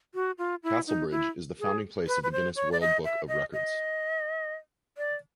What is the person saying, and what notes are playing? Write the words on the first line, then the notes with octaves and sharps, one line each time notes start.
Castlebridge is the founding place of the Guinness World Book of Records.
F#4
F4
E4
D#4
E4
G#4
B4
B4
C5
C#5
D5
D#5
E5
D#5
D#5
D5